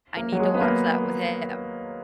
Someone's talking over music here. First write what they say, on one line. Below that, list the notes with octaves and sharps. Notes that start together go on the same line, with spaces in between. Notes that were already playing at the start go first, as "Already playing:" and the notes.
I need to watch that with him.
A#3
F#3
G#3
B3
A#3